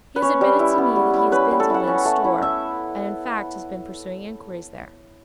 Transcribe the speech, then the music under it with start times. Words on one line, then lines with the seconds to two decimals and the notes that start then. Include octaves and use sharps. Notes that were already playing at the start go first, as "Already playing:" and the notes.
He has admitted to me that he has been to Lyne's Store and in fact has been pursuing inquiries there.
0.16 B4
0.22 C#4 C#5
0.41 G3
0.59 E4
0.78 B3
0.96 G3
1.14 E4
1.32 C#4 B4
1.51 G3
1.60 A4
1.70 E4 F#5
1.87 C#4
2.05 A3
2.24 E4
2.42 E4 E5